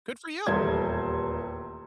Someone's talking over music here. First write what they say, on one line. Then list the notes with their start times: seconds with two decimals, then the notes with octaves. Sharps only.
Good for you.
0.47 D#1 E2 G3 A3 C5 G#6